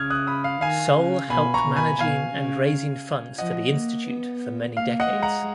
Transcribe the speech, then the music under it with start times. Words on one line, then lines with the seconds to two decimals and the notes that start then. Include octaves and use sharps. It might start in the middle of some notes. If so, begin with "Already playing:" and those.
Solh helped managing and raising funds for the institute for many decades.
Already playing: C#3 D#6 F6 G#6
0.10 D#6 F#6
0.27 B5 D#6
0.44 F5
0.61 D#3 F5 G#5
0.96 C#3
1.30 B2 G#5 B5
1.54 A#5 C#6
1.65 B2
1.76 G#5 B5
1.99 B2 F5 G#5
2.35 C#3
3.38 F3 D#5 F#5
3.72 A#3
4.07 B3
4.77 A#3 F5
5.00 D#5 F#5
5.11 G#3
5.22 F#5 A#5